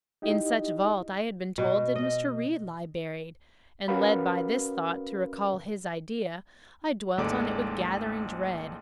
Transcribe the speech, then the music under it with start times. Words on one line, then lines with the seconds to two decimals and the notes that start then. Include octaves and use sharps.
In such vault I had been told did Mr. Reed lie buried; and led by this thought to recall his idea, I dwelt on it with gathering dread.
0.22 D#4 E4 G4 D#5
1.58 B2
1.95 D#5
3.88 C#4 F#4 A#4 B4 F5 B5
7.18 A1 D#2 G#3 A4 D5 D6